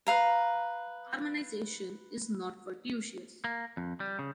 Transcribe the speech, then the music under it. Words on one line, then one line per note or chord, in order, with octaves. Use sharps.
Harmonization is not fortuitous.
B4 F5 A#5
A#3
F2
G3
C#3